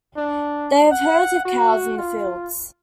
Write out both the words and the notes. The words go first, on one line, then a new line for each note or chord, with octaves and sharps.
They have herds of cows in the fields.
D4
F#5
F#4
F4